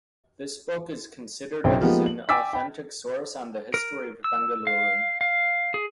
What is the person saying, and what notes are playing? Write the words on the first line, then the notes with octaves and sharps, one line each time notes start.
This book is considered as an authentic source on the history of Bengaluru.
B1 C#3 E4 C5 G5
F3 G#3 A#3 B3 D#4 G4
F#7
G5 G#5 D6 E6 A6 B6
G5 B5
A#4
E6
F5
F5
G#4